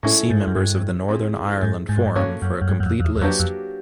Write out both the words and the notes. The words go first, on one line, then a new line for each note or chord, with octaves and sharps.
See members of the Northern Ireland Forum for a complete list.
A2 G#3 C#4 E4 A4
G#2
F#2
G2
C4 E4 G#4
G#2
G#2
G2
G#2
G2 A#3 C#4 F#4 A4 C#5
F#2
F#2
G2
F#2
F2
F2
E2
E2
F2 F#3 A#3 D4 G4 B4
F2